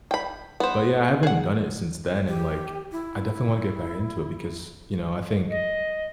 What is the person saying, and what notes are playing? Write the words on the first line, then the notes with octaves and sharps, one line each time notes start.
But, yeah, I haven't done it since then, and, like, I definitely wanna get back into it because, you know, I think
G5 B5
B3 C5
G#4 F#5
G4
E4
D#5